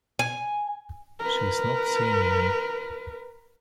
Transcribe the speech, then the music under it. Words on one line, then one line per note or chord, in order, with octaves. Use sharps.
She is not seen again.
G#5
A#4 B4